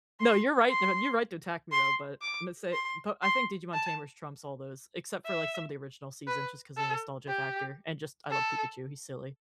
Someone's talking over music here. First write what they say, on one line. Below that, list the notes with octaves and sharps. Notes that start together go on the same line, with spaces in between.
No, you're right th You're right to attack me, though. But I'm gonna say but I think Digimon Tamers trumps all those except for, like, some of the original seasons just 'cause the nostalgia factor, and just, I love Pikachu, he's silly.
C6
C6
C6
D6
C6
C6
A5
E5
B4
A4
G4
A4